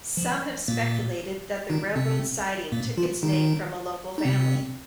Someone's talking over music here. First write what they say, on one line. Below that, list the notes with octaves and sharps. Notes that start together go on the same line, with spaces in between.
Some have speculated that the railroad siding took its name from a local family.
F3
A#2 A#3
D#3 D#4
C3 C4
A#2 A#3
F3 F4
D#3 D#4
D#4
C3 C4